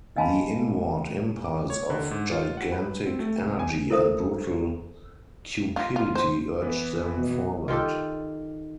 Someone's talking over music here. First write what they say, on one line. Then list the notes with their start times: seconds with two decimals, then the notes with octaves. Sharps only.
The inward impulse of gigantic energy and brutal cupidity urged them forward.
0.16 D#5 F5 G#5 A5 B5 C6
1.44 D6
1.70 C#5
1.90 D3
2.11 G#2
2.32 F4
2.57 F#5
2.72 B4
3.07 C4
3.20 A3
3.41 C2
3.59 G#5
3.90 E4 A4 A#4 C5 E5 D#6
5.76 F4
5.96 F4
6.15 C5
6.62 E3 B3 B4
7.17 B2
7.68 D#3 F4 G4 A4